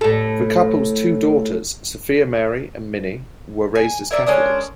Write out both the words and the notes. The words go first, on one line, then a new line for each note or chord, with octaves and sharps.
The couple's two daughters, Sophia Mary and Minnie, were raised as Catholics.
A2 A4
G#5
E4 A#4 D5 E5
G#3 C#4 D4 A#4